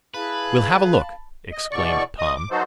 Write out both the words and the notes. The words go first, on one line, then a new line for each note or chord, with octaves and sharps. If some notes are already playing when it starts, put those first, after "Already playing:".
"We'll have a look!" exclaimed Tom.
E4 G#4 B4 F5 A5 B5
D#5
E2 B2 D5 C#6
D#5 D#6
D6
E3 F#3 D#4 F#4 A4 C5